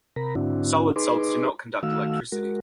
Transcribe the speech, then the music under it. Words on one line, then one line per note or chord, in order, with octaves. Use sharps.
Solid salts do not conduct electricity.
C3 A#4 A#5 B5
G#2 D3 C4 D4 E4 F#4
D#4 G#4 B4 C6 D6
D#3 A3 F#4 F5 E6
G#3 F#4 A#4